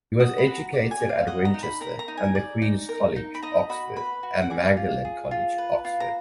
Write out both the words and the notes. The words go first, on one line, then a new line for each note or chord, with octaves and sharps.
He was educated at Winchester and at Queen's College, Oxford, and Magdalen College, Oxford.
F#4 D#6
B5
F#4
A#5
D5
G#5
D5
F5
D#5 F#5
A#5
D#4
B5
A#4 A#5
A#5
D#4
G#5
D5
D#4
A#4
D#4
B5
D#5 A#5
F#4 B5
B4 B5
F#4
F#5
D5 G#5
F4
G#4
F4
B4
F4
A#5